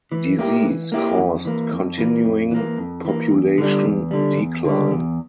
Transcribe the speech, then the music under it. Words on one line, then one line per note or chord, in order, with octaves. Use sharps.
Disease caused continuing population decline.
E3
A#3 E4 G4
E3
A#3 E4 G4
F2
E3 A#3
F2
E3 A#3
F2
E3 A#3
F2
E3 A#3
E2
D3 G3
E2
D3 G3
E2
D3 G3
E2